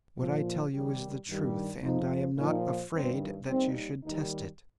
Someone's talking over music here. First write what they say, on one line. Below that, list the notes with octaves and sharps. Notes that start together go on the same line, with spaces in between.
What I tell you is the truth, and I am not afraid that you should test it.
A#2 F3
D#2 D#3 G3 G4
G2 D#3 G3
F2 F3 D#4
A#2 F3 D#4
G2 D#3 G3 C4
D#2 D#3 G3 C4
D#2 D#3 G3 D#4